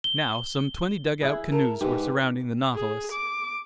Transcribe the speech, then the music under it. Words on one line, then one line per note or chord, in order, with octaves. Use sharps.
Now some twenty dugout canoes were surrounding the Nautilus.
G7
E4 G#4 B4
A#4 A5
G#2 G4 B4
G#4
D6